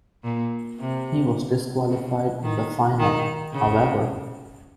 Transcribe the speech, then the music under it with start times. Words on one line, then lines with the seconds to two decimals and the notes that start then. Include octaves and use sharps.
He was disqualified in the final, however.
0.24 A#2
0.79 C3
1.89 C#3
2.43 D#3
2.99 D#3
3.53 C#3